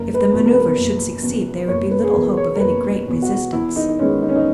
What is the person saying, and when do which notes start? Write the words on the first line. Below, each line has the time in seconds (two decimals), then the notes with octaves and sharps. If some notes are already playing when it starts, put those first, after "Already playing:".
If the manoeuvre should succeed there would be little hope of any great resistance.
Already playing: F#1 A#4
0.14 B4
0.30 E2 B2
0.46 A#4
0.53 B4
0.59 A#4
0.76 F#1
1.22 E2 B2
1.68 F#1 C#5
1.91 B4
2.04 G#4
2.14 E2 B2 A#4
2.37 C#5
2.55 A#4
2.60 F#1 B4
3.06 E2 B2
3.22 F#4
3.52 E2 E4
3.76 D#4
3.89 D#4
3.99 D#3 G#3 B3 C#4
4.22 D#4
4.29 C#4
4.36 D#4